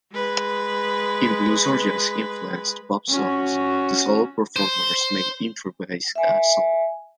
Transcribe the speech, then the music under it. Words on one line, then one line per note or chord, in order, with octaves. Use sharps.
In blues- or jazz-influenced pop songs, the solo performers may improvise a solo.
G#3 B4
C#4 F#4
C5
E5 G#5